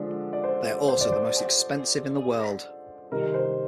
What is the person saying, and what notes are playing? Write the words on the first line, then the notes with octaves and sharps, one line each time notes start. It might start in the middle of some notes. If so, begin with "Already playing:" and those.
They are also the most expensive in the world.
Already playing: D3 F3 G#3 D4
D5
C5
C5
D5
C5
C3 D#3 G3 A#4
C5